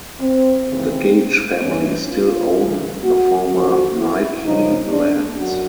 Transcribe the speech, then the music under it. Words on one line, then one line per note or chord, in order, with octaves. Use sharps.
The Gage family still own the former Knightley lands.
C4
D#2 C#3 E3 C4
G2 E3 C#4
F4
D2 C#3 E3
F#4
D#2 D3 F3 F#4
E4
F#2 C#3 F3 D#4
D4
F#2 F#4